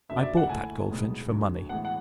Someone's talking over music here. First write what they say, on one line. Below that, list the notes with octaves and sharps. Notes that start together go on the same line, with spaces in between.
I bought that goldfinch for money.
F#1 F#2 D3 F#3 E5
D5
E5
F#5
D2 D3 A3 E4 G#5
B1 A2 G#3 B3
D2 D3 F#3
A2 E3 G#3 B3 F#5
F#5